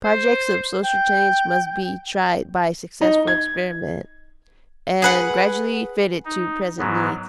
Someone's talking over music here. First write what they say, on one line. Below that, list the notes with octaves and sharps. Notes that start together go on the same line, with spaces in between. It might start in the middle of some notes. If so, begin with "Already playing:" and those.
Projects of social change must be tried by successful experiment, and gradually fitted to present needs.
C5
G5
D#4
G#6
G#4 B4 F#5
D#4
G#2 F#3 B3